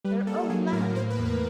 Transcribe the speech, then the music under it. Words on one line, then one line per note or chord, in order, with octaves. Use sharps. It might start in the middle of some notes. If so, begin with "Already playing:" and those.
Their own Lamb!
G3 B4
A#3 A4
A4
F#3 G#4
A2 A#4
A#3 C5
B4
E2
A#4